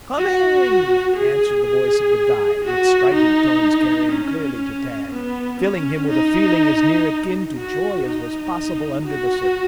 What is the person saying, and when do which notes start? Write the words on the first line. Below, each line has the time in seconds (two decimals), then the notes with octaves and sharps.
"Coming!" answered the voice of the guide, its strident tones carrying clearly to Tad, filling him with a feeling as near akin to joy as was possible under the circumstances.
0.18 F#4
1.16 G#4
1.66 G#4
2.65 F#4
3.14 D#4
4.13 C#4
5.11 B3
5.60 C#4
6.10 D#4
7.57 F#4
8.07 D#4
9.06 F#4